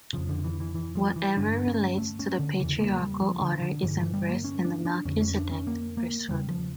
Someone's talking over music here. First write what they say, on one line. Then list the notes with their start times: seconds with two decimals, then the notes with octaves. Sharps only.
Whatever relates to the patriarchal order is embraced in the Melchizedek Priesthood.
0.13 F2 C#3 F3
0.29 D3
0.44 E3
0.60 E3
0.75 E3
0.95 F3
1.16 E3
1.37 G2 D3 D4
1.67 C#4
1.98 A3
2.19 C#4
2.39 D3
2.59 E2 C#3 E3
2.81 A#3
3.00 G3
3.21 F3
3.42 D3
3.62 D3
3.83 G2 D3 E3
3.98 E3
4.14 G3
4.29 A#3
4.44 C#4
4.64 D4
4.85 D4
5.05 F2 D3 C#4
5.21 C#4
5.36 D4
5.51 C#4
5.67 A#3
5.97 A#3
6.28 E2 C#3 G3
6.49 F3